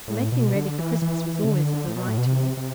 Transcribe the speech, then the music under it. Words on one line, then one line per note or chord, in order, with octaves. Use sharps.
The making ready for Christmas was always a delight to me.
A2
B2
D3
E3
E3
C3
D3
A2
B2
A2
B2
C3
C3